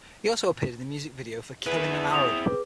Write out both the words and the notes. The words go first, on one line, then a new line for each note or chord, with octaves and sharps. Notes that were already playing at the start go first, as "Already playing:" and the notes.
He also appeared in the music video for "Killing an Arab".
E4 G#4 B4
C4 D#6 F7
G#4 B4 D6